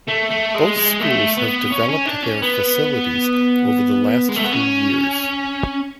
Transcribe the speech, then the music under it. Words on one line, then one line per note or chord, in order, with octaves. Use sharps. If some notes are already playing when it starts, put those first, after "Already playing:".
Both schools have developed their facilities over the last few years.
A3
A3
G#3
G#3
A3
B3
C#4
C#4
D4
C#4
B3
G#3
A3
B3
C#4